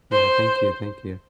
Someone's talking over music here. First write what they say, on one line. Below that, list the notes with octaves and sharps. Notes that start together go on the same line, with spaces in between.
Yeah. Thank you. Thank you.
C5